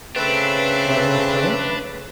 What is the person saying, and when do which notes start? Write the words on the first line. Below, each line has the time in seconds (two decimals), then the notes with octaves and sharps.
"Where they are playing?"
0.16 C#3 A3 C4 D4 A4 B4